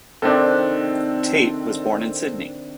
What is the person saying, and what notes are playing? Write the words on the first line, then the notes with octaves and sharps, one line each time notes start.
Tate was born in Sydney.
C3 D#3 C4 D4 A4